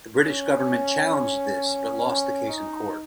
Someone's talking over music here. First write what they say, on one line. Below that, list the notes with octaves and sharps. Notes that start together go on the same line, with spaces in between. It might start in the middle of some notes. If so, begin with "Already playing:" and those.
The British government challenged this but lost the case in court.
C#4
C#4
D#4